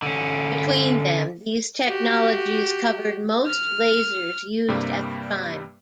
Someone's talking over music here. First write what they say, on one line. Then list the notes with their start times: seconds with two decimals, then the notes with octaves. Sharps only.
Between them, these technologies covered most lasers used at the time.
0.02 D3 C#4
1.88 F#4 G4
3.48 F6
4.68 G2 C3 G3 A#3